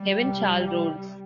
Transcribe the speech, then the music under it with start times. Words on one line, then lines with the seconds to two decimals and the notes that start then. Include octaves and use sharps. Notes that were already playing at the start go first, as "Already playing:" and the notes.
Kevin Carl Rhoades.
Already playing: G3
0.22 C2 C3